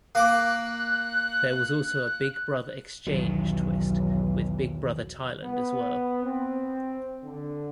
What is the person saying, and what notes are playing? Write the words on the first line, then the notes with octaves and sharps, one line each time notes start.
There was also a "Big Brother Exchange" twist with Big Brother Thailand as well.
A#3 D6 F#6
B1 E2 D#3 F#3
B3
C4
D3